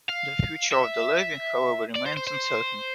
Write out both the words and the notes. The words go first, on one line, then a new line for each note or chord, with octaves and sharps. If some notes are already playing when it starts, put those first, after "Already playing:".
The future of the levee, however, remains uncertain.
F5
E5
D5
C5
C5
C5